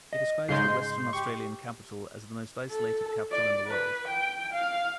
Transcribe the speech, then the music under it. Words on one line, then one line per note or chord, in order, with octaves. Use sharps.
He describes the Western Australian capital as "the most isolated capital in the world".
D#5
G#2 C#3 G#3 C6 G6 C7
G4 C#6
A4
D5
B4
G5
F5